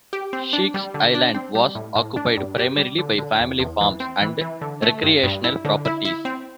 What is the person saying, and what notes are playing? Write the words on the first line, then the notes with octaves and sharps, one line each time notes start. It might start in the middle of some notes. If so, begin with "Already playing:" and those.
Sheek's Island was occupied primarily by family farms and recreational properties.
G4
C4
D4
G3
D3
D4
C4
G3
A2
A2
D4
G2
G4
G3
D3
D3
E2
E2
E3
C4
E3
E3
D3
A3
G2
G2
E4
D3
E4
E4
C4